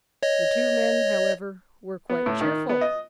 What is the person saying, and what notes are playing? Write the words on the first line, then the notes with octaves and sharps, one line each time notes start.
The two men, however, were quite cheerful.
C#5 D#5
B3
A2
D#3
B3
D#5